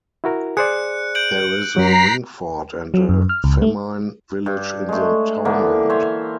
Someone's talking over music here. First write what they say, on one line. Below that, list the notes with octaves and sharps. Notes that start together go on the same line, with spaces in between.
There is a ringfort and a famine village in the townland.
E4 F#4 A#4
G#4 C5 D5 F#6 C#7
G6 D7 F#7
F#2 F#3 A#5 B6 C7
F#3
F#2
F6
C#2
A3
G2
G#3 A3
D3 E3 A#3 B3
C5 C#5 E5 G#5